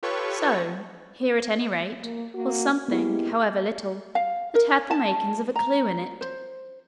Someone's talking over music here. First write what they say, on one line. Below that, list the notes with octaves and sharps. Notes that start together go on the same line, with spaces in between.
So--here, at any rate, was something, however little, that had the makings of a clue in it.
F4 G4 A4 B4 C#5 C#6
A#3
A#3 F#4
G#3 A#3 B3 E4 G4
F5
A#4
A5
A#5
C5